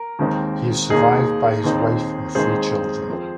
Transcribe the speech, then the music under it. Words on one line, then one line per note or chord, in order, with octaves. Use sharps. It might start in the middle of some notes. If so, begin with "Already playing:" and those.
He is survived by his wife and three children.
Already playing: A#4
D#2 D#3 G#3 C4 D#4
D#2 D#3 A#3 D#4 G#4
D#2 D#3 C4 D#4
D#2 D#3 G#3 C4 D#4 G#4 C5
F2 F3 C4